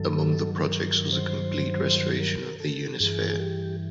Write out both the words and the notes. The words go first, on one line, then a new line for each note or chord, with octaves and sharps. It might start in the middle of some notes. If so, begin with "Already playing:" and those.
Among the projects was a complete restoration of the Unisphere.
Already playing: G2 D#3 F#3 A4
A#4
A#4
C5
A#4
A4
G2 E3 G#4
G#4
G4